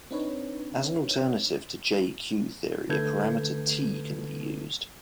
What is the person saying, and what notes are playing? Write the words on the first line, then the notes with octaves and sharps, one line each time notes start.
As an alternative to J-Q theory, a parameter T can be used.
C4 D4 D#4 B4 C#5
D3 A3 A4 B4 G6 G#6